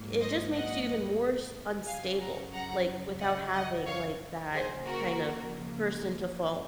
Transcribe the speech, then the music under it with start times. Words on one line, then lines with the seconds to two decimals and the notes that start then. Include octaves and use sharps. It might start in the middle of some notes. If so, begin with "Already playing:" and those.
it just makes you even more s unstable, like, without having, like, that kind of person to fall
Already playing: G#2 F#3 A#3
0.20 C5 D#5
0.54 D#5 F#5
1.86 F#2 C#3 F#3 F5 G#5
2.20 F#5 A#5
2.53 F#5 A#5
3.20 D#5 F#5
3.53 D#5 F#5
3.86 C#5 F5
4.53 C#3 F3 A#3 G#4 C5
4.86 F#4 A#4